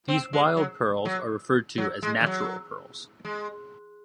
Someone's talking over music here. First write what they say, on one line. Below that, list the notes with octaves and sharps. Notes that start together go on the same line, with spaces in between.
These wild pearls are referred to as "natural" pearls.
C4
G#3
F#3
F#3
F#3
G#3
E3
F#3
G#3